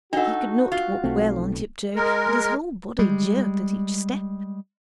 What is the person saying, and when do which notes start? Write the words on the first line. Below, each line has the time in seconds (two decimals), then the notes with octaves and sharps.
He could not walk well on tiptoe and his whole body jerked at each step.
0.13 D4 D#4 F#4 A4 F#5
0.72 F4
1.04 B1 A3 C4
1.96 G#3 A#4
2.99 G3 G#3